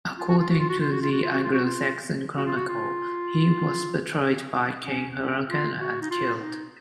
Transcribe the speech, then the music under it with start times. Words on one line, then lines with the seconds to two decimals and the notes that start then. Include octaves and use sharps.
According to the "Anglo-Saxon Chronicle", he was betrayed by King Harthacnut and killed.
0.18 F4
0.28 F#4
0.39 F4
0.50 F#4
0.59 F4
0.70 F#4
0.80 F4
0.92 F#4
1.02 F4
1.12 F#4
1.23 F4
1.33 F#4
1.44 F4
1.53 F#4
1.65 F4
2.37 F#4
2.46 F4
2.56 F#4
2.68 F4
4.85 C#4
5.17 C#4
5.48 F4
5.80 F#4
6.02 D#4
6.11 F4
6.43 D#4